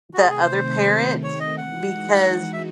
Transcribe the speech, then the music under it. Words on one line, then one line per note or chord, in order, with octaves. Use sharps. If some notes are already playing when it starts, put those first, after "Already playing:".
the other parent, because
F#4
C3 D#3 A3 C4 G#4
G#4
C5
C#5
D#5
E3 G#3 D#4 F#4 F#5
E5